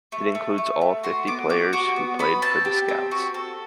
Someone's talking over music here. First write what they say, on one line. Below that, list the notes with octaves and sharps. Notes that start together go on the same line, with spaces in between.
It includes all fifty players who played for the Scouts.
A3
A3
A3
A3
F#4 C6
B3 D6
F#4 D6
F#4 D6
B3
B3 B5
C4 A5
G4
C4
F#4
A4